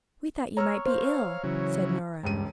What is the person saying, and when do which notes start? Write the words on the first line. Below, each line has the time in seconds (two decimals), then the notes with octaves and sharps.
"We thought you might be ill," said Nora.
0.57 C#5 A#5 E6 F6
0.86 C5 F5
1.44 C#3 E3 F#3
2.23 E1 C#2 G2 D#7